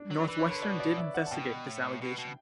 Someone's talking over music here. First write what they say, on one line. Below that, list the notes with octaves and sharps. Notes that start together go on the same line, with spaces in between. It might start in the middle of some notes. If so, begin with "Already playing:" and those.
Northwestern did investigate this allegation.
Already playing: D4
F#3
E3 B4
C#5
D3
B4
B2 D5
D5
E5
F#5
A5
B2 G5
A2
B2
B2